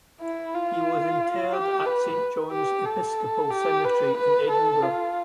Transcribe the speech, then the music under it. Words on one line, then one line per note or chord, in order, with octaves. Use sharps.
He was interred at Saint John's Episcopal Cemetery in Edinburgh.
E4
F4
G4
B4
G4
A4
G4
B4
B4
A4
F4